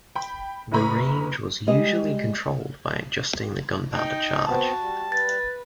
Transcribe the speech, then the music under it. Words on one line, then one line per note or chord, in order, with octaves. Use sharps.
The range was usually controlled by adjusting the gunpowder charge.
G5 B5
F#1 E4 B4 A#5 B5 C#6
G3 G#3 G4 D#5
D#4 G5
B3 C4 F#4 A5
G3
B4 A6